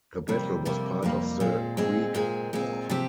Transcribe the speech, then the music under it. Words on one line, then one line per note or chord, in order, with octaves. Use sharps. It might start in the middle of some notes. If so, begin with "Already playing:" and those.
The battle was part of the Creek War.
F2 C3 G3 A#3
F2 C3 G3 A#3
F2 C3 G3 A#3
A#2 G#3 C4
A#2 G#3 C4
A#2 G#3 C4
A#2 G#3 C4
C3 F3 C4 G4